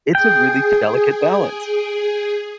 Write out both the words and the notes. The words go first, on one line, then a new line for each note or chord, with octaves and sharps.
It's a really delicate balance.
G#4 G5